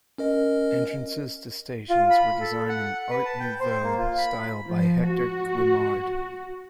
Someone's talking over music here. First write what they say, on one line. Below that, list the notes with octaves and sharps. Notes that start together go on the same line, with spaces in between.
Entrances to stations were designed in "art nouveau" style by Hector Guimard.
C#4 A#4 D#5
F4
B5
A4
F#5
B4
A5
G5
C5
A#3
F4
B5
F3
F#4